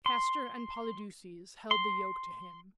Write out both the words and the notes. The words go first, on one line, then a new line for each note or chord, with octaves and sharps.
Castor and Polydeuces held the yoke to him.
C6
C6